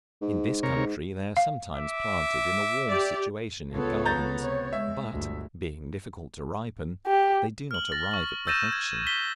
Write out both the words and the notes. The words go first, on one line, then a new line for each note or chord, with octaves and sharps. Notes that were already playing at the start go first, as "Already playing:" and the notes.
In this country they are sometimes planted in a warm situation in gardens, but, being difficult to ripen, they do not arrive at perfection.
G#2
C3 A#4 C#5
G#2
F5
E5 D6
G4 D5
C#2 B3 F4 A4 C#5
A#5 G6 A6
C3 C#5
G#3 E5
G1 D2
G4
F6 F#7
A6 A#6
C#6 F#7
E6 G6 A6 A#6 D#7 E7
G#6
B6 G7